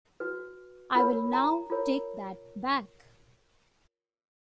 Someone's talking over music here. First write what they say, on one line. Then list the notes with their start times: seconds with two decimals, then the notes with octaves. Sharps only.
I will now take that back.
0.20 F#4 B4
0.95 F4 A#4 C#5 B5
1.33 A#5
1.70 F4 A#4 C#5